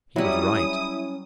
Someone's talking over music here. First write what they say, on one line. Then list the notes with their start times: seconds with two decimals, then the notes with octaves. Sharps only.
He was right.
0.16 F#3 G3 C#4 E4 D#6